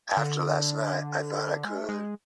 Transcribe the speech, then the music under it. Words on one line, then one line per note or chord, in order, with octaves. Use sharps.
After last night, I thought I could.
D3
G#3
A3
G#3